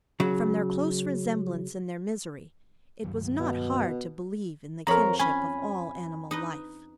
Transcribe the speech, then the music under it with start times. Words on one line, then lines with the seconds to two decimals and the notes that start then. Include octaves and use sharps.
From their close resemblance in their misery, it was not hard to believe in the kinship of all animal life.
0.20 C#3 F#3
3.04 G2 D#3 F#3
3.39 B2
4.87 F2 A#4 C#5 A#5 B5
5.20 C#4 G#5 B5
6.31 D#4 B4 D#5